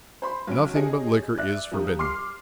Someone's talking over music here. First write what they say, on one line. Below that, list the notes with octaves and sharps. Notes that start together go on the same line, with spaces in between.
Nothing but liquor is forbidden.
C5 B5 C6
B1 C#4 D7
C#4 G4 G#4 D#5
D5 E5 F#6
F3 G3 D4 G4 A#4 D#6
C6 D6 F6 C7